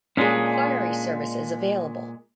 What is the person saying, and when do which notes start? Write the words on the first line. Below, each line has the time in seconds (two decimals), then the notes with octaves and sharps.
An Enquiry service is available.
0.17 A#2 G#3 C#4 D4 G#4